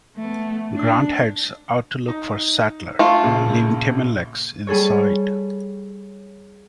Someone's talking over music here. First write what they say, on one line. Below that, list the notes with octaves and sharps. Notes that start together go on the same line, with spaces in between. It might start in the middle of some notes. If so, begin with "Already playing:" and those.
Grant heads out to look for Sattler, leaving Tim and Lex inside.
A3 B3
D4
D#4
A3 F4
A#1 A#2 C#3
G3 G#4 A4 C#5